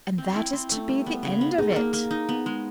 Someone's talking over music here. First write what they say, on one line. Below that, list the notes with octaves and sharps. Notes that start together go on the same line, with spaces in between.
"And that is to be the end of it."
C4
E4
C4
A3
G3
B3
C#3
B3
D#4 G#4
A#3
A#3
D#4
B3
G#3